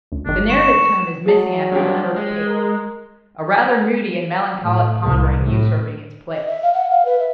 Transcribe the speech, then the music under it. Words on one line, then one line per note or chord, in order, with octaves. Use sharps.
The narrative tone is missing after the first page, a rather moody and melancholic pondering usurping its place.
D2
G1 D#3 D4
C#6 E7
F#3 G#4 D5 A5
G2 F3 G4 C#5
G#3
A#4
A2
C2
A2
D#5
E5
F5
F#5
F5
B4
E5